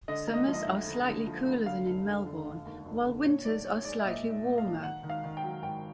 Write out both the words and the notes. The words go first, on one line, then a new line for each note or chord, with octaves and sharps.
Summers are slightly cooler than in Melbourne, while winters are slightly warmer.
D3 D#5
A#3
D#5
F3
D#5
E5
D2
D3
D3
F3
D2
D3 F5
F1
D3
D3
F1
D#2
F1
D3
A#2 C#5
B1 D5
G#3 C#5
G#3 D5
E5
A#2 D#5
A#2
E5
A#2
F5
B1
D#3 F#5
D#3
F5
D#3
G5
F#3
G#1 G5